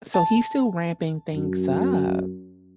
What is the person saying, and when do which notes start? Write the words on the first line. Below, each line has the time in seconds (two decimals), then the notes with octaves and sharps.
So, he's still ramping things up.
0.14 A5
1.35 F#2